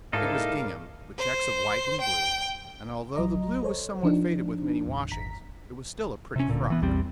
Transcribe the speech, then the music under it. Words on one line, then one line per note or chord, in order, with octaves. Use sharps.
It was gingham, with checks of white and blue; and although the blue was somewhat faded with many washings, it was still a pretty frock.
G#2 G3 D#4 E4 A4 A#4 D5 F5
C5
G5
A#1 F#3 D#5 A#5
A4 C5 C#5
F3 D4 D#4
D#2 A2
G1 A#5 B6
C3 C#4
D1 A#2 D3
E3 B3
A#1 E2 G3 C4